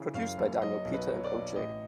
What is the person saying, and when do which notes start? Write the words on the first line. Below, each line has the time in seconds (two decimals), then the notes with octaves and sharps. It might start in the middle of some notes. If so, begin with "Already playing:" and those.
Produced by Daniel Peter and O-Jay.
Already playing: C#3 E3
0.14 F#2 F5
0.38 F#1
0.62 F#3 D#5
0.85 B1
0.94 B4
1.10 F#3
1.24 D5
1.33 B1
1.56 A1 D#5